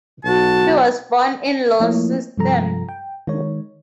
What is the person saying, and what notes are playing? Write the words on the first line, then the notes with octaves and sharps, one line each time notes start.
He was born in Launceston.
B1 F#4 A5
F3 A3 A#3 E4 C#5 D#5
G2 C3 F3 A4 A#5
G5
D#3 G#3 D#4 C#5